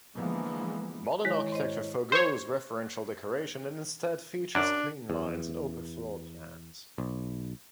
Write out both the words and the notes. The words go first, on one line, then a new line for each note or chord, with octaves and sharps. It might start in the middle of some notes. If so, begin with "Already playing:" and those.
Modern architecture forgoes referential decoration and instead features clean lines and open floor plans.
D3 E3 F3 G#3 A#3 B3
D#3 G#3 E4 C#5 A#6
G#2 C5 D#5
C5 C#5
F#2 D4
E2
B1